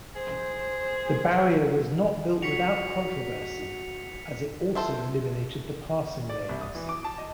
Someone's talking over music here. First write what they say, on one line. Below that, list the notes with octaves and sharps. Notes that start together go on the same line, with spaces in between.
The barrier was not built without controversy, as it also eliminated the passing lanes.
G#4 C5
F#4 C#5 B6 C#7 F7
A4 C5 E5
D5
C2
D#6
E3
D6
A5
D#5